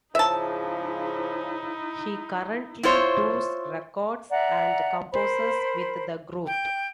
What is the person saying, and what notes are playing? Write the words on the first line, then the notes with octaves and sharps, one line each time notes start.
He currently tours, records and composes with the group.
G#2 C#3 F3 D#4 E4 E5 A5
E4 F4 C5 C#5
D5 E5 F#5 A#5
A#4 C5 B5
G5